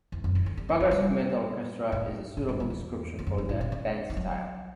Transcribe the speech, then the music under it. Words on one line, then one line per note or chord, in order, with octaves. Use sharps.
"Progressive metal Orchestra" is a suitable description for the band's style.
E2
F#2
E3
D3
G3
A3
A3
G3
A2
A2
G2
F#2
E2
E2
F#2
G2
A2
B2
C#3
G3
F#3